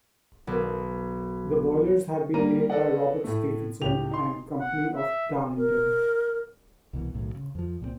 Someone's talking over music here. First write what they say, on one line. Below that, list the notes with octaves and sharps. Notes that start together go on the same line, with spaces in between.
The boilers had been made by Robert Stephenson and Company of Darlington.
B1
G3 A#3 A#5 D#7
A4 B4 D5 D#5 F#5
A2 A3
C#2 A2 G4 F7
D#4 C6
F#5
E5
A#4
C2 B2 E3
B1 A2 D#3 F#3
C#3
F2 F3
C2 A#2 F3 C4